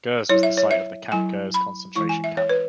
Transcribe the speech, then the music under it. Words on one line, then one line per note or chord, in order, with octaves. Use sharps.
Gurs was the site of the Camp Gurs concentration camp.
F#3 E4 C#5
E5
C#5
E5
F#3 E4 G#5
B5
E3 G#3 E4 C#6
G#5
E5
C#5
B4